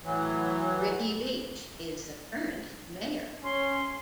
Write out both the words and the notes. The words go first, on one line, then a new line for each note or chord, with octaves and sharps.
Rickey Veach is the current mayor.
A2 E3 F#3
C#4 C6